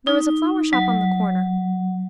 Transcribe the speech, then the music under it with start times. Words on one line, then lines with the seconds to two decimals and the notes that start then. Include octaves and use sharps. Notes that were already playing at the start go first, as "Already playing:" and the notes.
There was a flower shop on the corner.
0.07 D#4
0.73 F#3